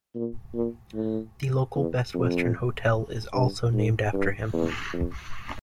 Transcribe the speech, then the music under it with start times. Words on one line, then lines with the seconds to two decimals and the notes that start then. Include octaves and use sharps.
The local Best Western hotel is also named after him.
0.15 A#2
0.54 A#2
0.94 A2
1.75 E2
2.14 F2
3.34 G2
3.74 G#2
4.13 G2
4.53 E2
4.93 F2